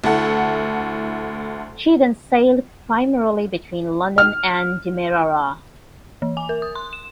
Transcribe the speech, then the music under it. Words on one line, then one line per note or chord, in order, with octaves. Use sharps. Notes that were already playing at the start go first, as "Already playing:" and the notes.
She then sailed primarily between London and Demerara.
D2 E4 A4 F#5
F6
E3
G#5
A#4
D#6
C6
E7